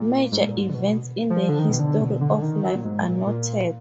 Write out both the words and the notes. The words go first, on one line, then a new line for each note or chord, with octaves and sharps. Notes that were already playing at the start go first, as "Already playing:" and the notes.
Major events in the history of life are noted.
Already playing: A#2
G#2
A#2
G#2
D3
B2
F3
D3
D#3
B2
D3
B2
D3
D#3
F#3
A#2
G#2
A#2
A#2